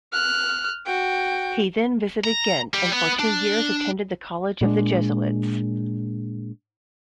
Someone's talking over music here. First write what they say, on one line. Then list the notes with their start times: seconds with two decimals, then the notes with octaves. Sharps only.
He then visited Ghent and for two years attended the college of the Jesuits.
0.12 F6 F#6
0.86 F#4 G5
2.24 A#5
2.74 G3
2.93 B3
3.20 D4
4.61 A#2 G#3 D4